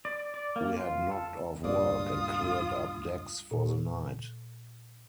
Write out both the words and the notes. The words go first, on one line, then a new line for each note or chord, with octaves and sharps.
We had knocked off work and cleared up decks for the night.
D5
D5
A#3
F4
A4
C#2 G2 A#2 F4 D5 D#6
A#2